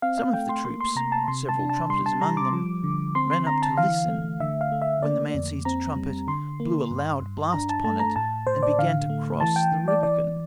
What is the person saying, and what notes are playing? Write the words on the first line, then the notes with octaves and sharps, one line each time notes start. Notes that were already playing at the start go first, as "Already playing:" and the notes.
Some of the troops, several trumpeters among them, ran up to listen, when the man seized a trumpet, blew a loud blast upon it, and began to cross the Rubicon.
C4 F5
F5
A3 G5
C6
A#3 C6
C6
C3 A#5
A5
C3 C6
A5
D4
A5
G3 C6
A5
G3 A#5
D6
F3
D3
C4 C6
C6
D3 A#5
A5
E3 F5
A3
D3 E5
F5
A3
E5
A#3 D5
F2
C4 A#5
G3
D3 C6
A#3
G2
G2
D4 A#5
A5
A3 A5
A#5
A2 A5
A2 C5
D5
D3 F5
A3
E3 A5
G5
E3
D5
E3 D5